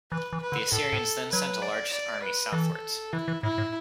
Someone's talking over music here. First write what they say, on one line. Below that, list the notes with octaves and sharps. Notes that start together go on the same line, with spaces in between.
The Assyrians then sent a large army southwards.
E3 B4
E3
B4
D3
A2 A4
A2
F#3 B4
D5
D5
B4
E3 A4
E3 E4
E3
A2 E4
A2